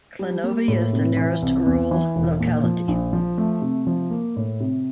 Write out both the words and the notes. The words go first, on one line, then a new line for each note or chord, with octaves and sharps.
Klinovy is the nearest rural locality.
G3
A#3
A2
C3
E3
C2
E2
E3
E1
A#2
F3
A#1
F3
A3
C3
F3
A#3
A2
C3